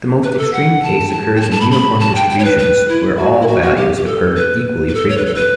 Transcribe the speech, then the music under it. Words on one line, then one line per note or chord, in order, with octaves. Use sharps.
The most extreme case occurs in uniform distributions, where all values occur equally frequently.
B4
G4
A4
F#5
A5
G5
A5
G5
A5
A5
B5
B5
A5
G5
G5
C#5
B4
B4
E4
F#4
E4
F#4
F#4
G4
G4
A4
B4
B4
A4
C#5
B4
A4
B4